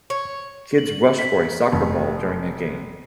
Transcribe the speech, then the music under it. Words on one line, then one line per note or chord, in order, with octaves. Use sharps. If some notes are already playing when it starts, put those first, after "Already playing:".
Kids rush for a soccer ball during a game.
C#5
F#7
B6
F1